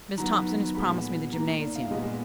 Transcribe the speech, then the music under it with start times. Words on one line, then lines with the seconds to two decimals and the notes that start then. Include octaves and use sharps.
Miss Thompson has promised me the gymnasium.
0.18 D#3 F#3 B3 A#5
0.75 A#2 G#3 B3 B5
1.32 D#3 A#3 A#5
1.61 D5
1.76 F5
1.90 A#2 G#3 B3 D#5